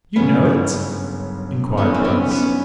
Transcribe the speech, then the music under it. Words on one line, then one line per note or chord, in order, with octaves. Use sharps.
"You know it?" inquired Bryce.
G1 F#2 C#3 B3 C#4
G2 D#3 F#3 A3 B3 C#4 D4
C4
B3 C#4
B3 C#4